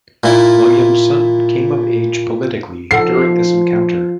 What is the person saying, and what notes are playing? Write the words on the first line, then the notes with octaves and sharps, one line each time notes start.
Williamson came of age politically during this encounter.
A#2 E4
F3 D#4 A4 F#5 C7